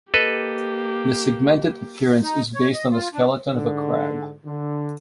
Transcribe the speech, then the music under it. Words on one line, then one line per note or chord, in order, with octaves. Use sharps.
The segmented appearance is based on the skeleton of a crab.
A#3 G4 A4 B4 D#5
D#4
C#5
D#5
F4
D4
G#2 D3
D3